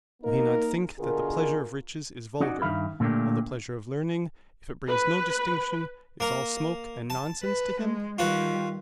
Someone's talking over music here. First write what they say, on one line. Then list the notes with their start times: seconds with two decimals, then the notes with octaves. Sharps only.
Will he not think that the pleasure of riches is vulgar, while the pleasure of learning, if it brings no distinction, is all smoke and nonsense to him?
0.22 A#3 D#4 A#4
0.99 B2 D3 F4 G#4 A#4
2.40 C#4 D#4 F#4 D5 F#5
2.62 G2 D#3 E5 F5 B5
3.00 A#2 D3 A3 A#3 D4 G4
4.88 B4
6.20 A#3 A#4
7.10 A5
7.44 B4
7.80 G#3
8.18 D#3 G3 F4 F#4 B4